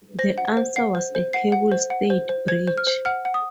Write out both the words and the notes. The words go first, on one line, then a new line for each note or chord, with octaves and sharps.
The answer was a cable-stayed bridge.
C5 A#6
F#5
C5
F#5 C7
C5
C5
F#5 C7
F#5
C5
F#5
C5
C5
C5 G#6
C5
F6
C5
F#5 F6
F#5
D#6